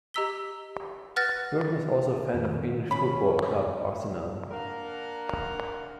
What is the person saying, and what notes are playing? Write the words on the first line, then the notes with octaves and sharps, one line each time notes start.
Burton is also a fan of English football club Arsenal.
G4 D#5 A#5 E6 B6 G7
B4 F#5 F6 F#6 A6 A#6
F2 G#2 D#3
G#3 C#4 B5
A#3 D4 A#4 F5 F#5